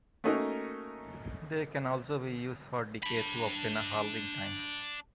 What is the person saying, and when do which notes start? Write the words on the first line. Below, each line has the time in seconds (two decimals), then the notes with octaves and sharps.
They can also be used for decay to obtain a halving time.
0.24 A3 A#3 C#4 D#4 F#4 A#4
3.03 D4 B5